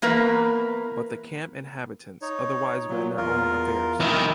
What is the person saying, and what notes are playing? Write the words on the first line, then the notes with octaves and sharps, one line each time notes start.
But the camp inhabitants otherwise ran their own affairs.
E2 A#3 A#4 B4
D#4 C#5
A#2 F#3
E2 F4 A#4
D#3 E4